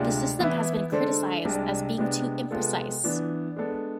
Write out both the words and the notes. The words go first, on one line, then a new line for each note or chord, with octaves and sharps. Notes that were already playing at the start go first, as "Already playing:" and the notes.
This system has been criticized as being too imprecise.
Already playing: D2 C3 G#3 D4 F4
E3 B3 E4 B4 E5
D3 G#3 D4 A4 C5
C2 C3 G#3 D4
C3 G#3 B3 D4
C3 G#3 B3 F4 A4
E3 B3 D4
G#3 B3 D4 A4